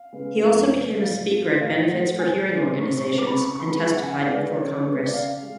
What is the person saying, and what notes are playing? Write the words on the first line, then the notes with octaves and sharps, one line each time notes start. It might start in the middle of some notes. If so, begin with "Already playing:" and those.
He also became a speaker at benefits for hearing organizations, and testified before Congress.
Already playing: F5
C#3 G#3 B3
F2
C#3 G#3 B3
A2 F5
F#3 A3
A2 F5
F#3 A3 F#5
A2 G#5
G#3 B3
A2 C#6
C#6
G#3
B3
D6
B5
C#3 C#6
C#6
G#3 B3 B5
C#3 F#5
G#5
F#5
F5
G#3 B3 D5
C#3 C#5
G#3 B3
D5
C#3 F5
G#3